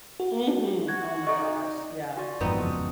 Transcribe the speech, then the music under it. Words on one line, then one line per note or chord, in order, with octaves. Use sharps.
Mhm. Oh my gosh. Yeah.
F#4
F#4 G#6
D#4 A4 D5 D#5 C#6
F4 F#4 D5
F2 G#2 E3 B3 C4 D#4
D1 F2 C#3 A5 C#6 D#6